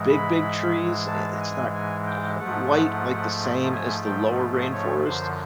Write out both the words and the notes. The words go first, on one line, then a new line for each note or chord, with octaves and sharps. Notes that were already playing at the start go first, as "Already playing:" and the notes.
big, big trees, i it's not quite like the same as the lower rainforest,
Already playing: G#2 E3 G#3
B5
A5
G#5
G#5
G5
G#2 F3 A3 F#5
G#5
G5
C#5
F#2 D3 F3 C5